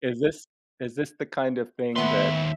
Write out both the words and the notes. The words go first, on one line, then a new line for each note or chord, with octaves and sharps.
Is this is this the kind of thing that
D#2 A3 B3 B4 E5 C6